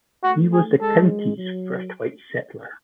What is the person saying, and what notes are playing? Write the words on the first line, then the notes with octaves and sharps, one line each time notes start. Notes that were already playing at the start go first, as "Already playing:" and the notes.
He was the county's first white settler.
A3 F#4
G#4
G#3 A4
F#3